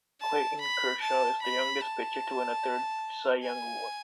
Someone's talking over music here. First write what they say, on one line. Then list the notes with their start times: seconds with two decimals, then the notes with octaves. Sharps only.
Clayton Kershaw is the youngest pitcher to win a third Cy Young Award.
0.20 A5
0.61 B5
1.01 A5
1.42 B5
1.81 A5
3.43 G#5